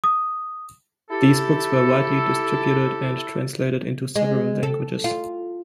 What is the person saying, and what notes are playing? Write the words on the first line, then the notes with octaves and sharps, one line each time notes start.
These books were widely distributed and translated into several languages.
D#6
E4 G4 A4
G#3
A4
F4